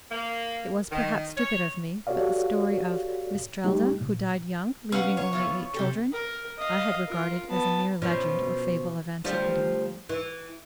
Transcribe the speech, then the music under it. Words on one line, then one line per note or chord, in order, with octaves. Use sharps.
It was perhaps stupid of me, but the story of Mistrelde, who died young, leaving only eight children, I had regarded as a mere legend or fable of antiquity.
A#3
D#3
C#5
F#4 G4 A4 C#5 D5 F5
G3 A3 D#4 G4
A#2
C#4 B4 F5 F#5
C#5
E3 B3 F4
C3 G4 A4
A#4
D#5 F5
F4 A#4
B3 A5
B2 F3 C#4
D2 F3 G3
E3